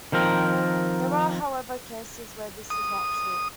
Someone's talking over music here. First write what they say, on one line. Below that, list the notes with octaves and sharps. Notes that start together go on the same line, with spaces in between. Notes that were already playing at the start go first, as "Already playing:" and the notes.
There are, however, cases where this is not true.
D#3 F3 C4 A#4
D#6